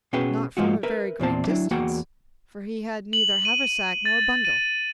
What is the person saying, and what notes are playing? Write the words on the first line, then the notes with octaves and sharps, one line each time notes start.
Not from a very great distance; for he had neither haversack, nor bundle.
B2 C#4 F#4 G#4 B4 G5
G#2 F3 G#3 F4 F#4
A#4 B4 E5
E2 A#2 C4 A5
F#3 D4 E4
E2 A#3 F#4 F#5 G5
F#7
D#7
A6
D#7